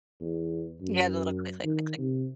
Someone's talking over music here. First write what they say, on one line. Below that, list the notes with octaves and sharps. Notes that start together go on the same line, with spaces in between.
Yeah, the little click, click, click, click.
E2
F#2
D#3
C3